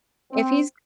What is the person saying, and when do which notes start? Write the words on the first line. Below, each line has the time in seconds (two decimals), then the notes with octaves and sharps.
if he's
0.31 C4